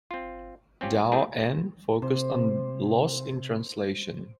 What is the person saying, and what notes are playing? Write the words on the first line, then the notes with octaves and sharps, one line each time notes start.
Dao An focused on loss in translation.
C4 F4
C4 C#4 F4 G4
A3 C4 E4 G4 G#4
C3 C5